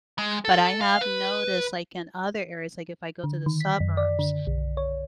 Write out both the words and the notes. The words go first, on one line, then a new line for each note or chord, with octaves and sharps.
but I have noticed, like, in other areas, like, if I go to the suburbs
G#3
A4
F5
B4
D3
D#3
B6
F#2
D5
D3
B1
C#5